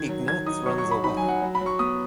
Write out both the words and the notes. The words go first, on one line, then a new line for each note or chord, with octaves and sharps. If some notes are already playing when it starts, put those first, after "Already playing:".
Ignatz runs away.
Already playing: D#3 G#6
F#3
D#3 G#6
D#4 D#6
F#3 C#6
C#6
F#3
B5
D#4 B5
G#5
F#3
F#5
F#3
B5
F#3
C#6
B3 D#6